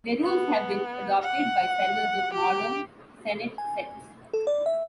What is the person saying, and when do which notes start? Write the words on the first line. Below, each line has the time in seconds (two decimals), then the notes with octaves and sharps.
Their rules have been adopted by sellers of modern senet sets.
0.24 B3
1.22 F#5
2.33 G4
3.58 G#5
4.34 A4
4.47 D5
4.66 E5